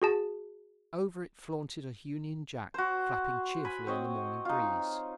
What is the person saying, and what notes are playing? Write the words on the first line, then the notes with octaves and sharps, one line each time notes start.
Over it flaunted a Union Jack, flapping cheerfully in the morning breeze.
F#4 G#4 A5
F#4 C5
G#5 B5
C4 C#5 D#5
D#4 F4